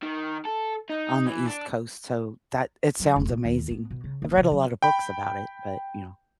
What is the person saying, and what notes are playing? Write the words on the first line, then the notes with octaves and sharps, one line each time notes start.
on the East Coast, so that it sounds amazing. I've read a lotta books about it, but, you know,
D#3
A4
D#4
E3
D4
F#3
F1
A#2
D#2
B3
B2
C#3
F#1
C3
F#3
G5 B5